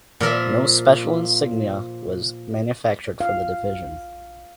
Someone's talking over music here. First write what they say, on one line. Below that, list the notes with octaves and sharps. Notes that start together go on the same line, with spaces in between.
No special insignia was manufactured for the division.
A#2 F3 A#4 E5
F5